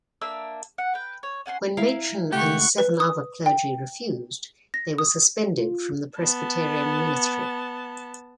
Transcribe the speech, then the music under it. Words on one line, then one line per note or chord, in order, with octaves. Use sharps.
When Machen and seven other clergy refused, they were suspended from the Presbyterian ministry.
A#3 D4 E5 E6
F#5
B4 G5
C#5
C#4 F#5 G#5 C6
E4 A#4 F5
C#2 A3 G4 F#5 C#6
B4
D#6
G5
A#6
D#6
F4
B3 A5